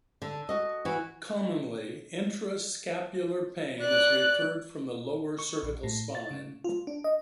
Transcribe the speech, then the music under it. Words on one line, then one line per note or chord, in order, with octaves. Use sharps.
Commonly intra-scapular pain is referred from the lower cervical spine.
D3
F#4 D#5
E3 F#4
D5 F#6
C#6
A#1
A2
A6
C#3
F4
D4
D#5